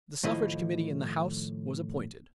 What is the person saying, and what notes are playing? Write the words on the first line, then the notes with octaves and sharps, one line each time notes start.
The Suffrage Committee in the House was appointed.
A2 D#3 F3 E4 D#5